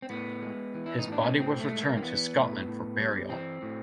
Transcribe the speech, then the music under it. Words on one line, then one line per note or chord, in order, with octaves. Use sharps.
His body was returned to Scotland for burial.
C4
A2 B3
G#3
E3
E4
D#4
A2
D4
C#4
A2 C4
A3
G#3
A#3
C4
E3 B3
A2
A2
G3
E3 C4
A2